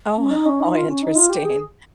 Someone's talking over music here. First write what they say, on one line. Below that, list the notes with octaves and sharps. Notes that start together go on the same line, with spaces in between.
Oh, how interesting
C#4
D#4
C#4
D#4
F4
C#4
D#4
F4
G4
G#4